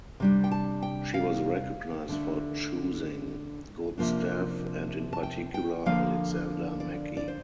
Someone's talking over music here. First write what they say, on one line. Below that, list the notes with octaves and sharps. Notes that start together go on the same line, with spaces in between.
She was recognised for choosing good staff and in particular Alexander Mackie.
C3 G3 D4
G5
A5
G5
F5
D3 A3 D4
C3 F3 A#3 D4
A5
G5
G5
D3 F3 A#3 F5
D5
D5
C5